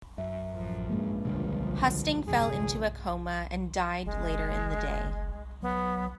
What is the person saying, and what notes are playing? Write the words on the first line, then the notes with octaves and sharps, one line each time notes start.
Husting fell into a coma and died later in the day.
F#2 E5
A1 F3
G2 G#3 A#3
C#2 B2 D3 F3 G3
G1 E2 C3 G#4
F#1 G#3
F#3 B3